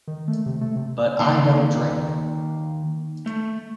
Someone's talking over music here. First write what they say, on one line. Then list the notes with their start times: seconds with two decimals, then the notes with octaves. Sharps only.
But I don't drink.
0.07 D#3
0.28 A3
0.46 C3
0.61 A3
0.76 C3
1.19 D#3 A#3 C6
3.26 A3